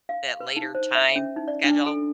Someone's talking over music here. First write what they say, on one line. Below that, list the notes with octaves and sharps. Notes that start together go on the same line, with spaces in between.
that later time schedule.
F5
B4
D#4
C5
E5
C#4
D#4
D5
D4
A4